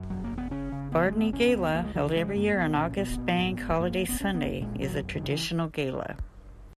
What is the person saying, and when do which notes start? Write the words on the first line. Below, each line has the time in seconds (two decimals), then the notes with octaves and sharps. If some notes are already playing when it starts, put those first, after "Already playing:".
Bardney Gala, held every year on August Bank Holiday Sunday, is a traditional Gala.
Already playing: F#2
0.10 E1 F#3
0.24 A#3
0.31 E1
0.38 B3
0.51 C#3 C#4
0.72 C#3
0.92 E1 B3
1.06 G#3
1.12 E1
1.20 B3
1.33 C#2 C#4
1.53 C#2 B3
1.74 C#2 A#3
1.84 G#3
1.95 C#3 F#3
2.05 E3
2.16 G#1 G#3
2.36 F#2 A#3
2.56 B1 B3
2.77 A#2 C#4
2.97 A#2 B3
3.18 A#2
3.38 G#2
3.59 G#2
3.79 F#2 A#3
4.00 F#1
4.09 B3
4.20 B1 C#4
4.34 B3
4.41 B1
4.61 A#2 G#3
4.81 B1 F#3
5.02 F#2
5.16 D#3
5.23 C#3
5.30 E3